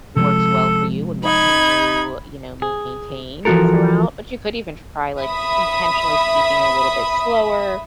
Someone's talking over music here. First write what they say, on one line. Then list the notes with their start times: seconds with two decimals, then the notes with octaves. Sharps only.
works well for you and what can you, you know, maintain throughout but you could even try, like, s intentionally speaking a little bit slower,
0.16 C3 F3 G#3 A4
1.25 D#4 B5 G#6
2.62 G#4
3.45 E3 F3 B3 F#4 A4 A#4
5.20 E5 B5 D#6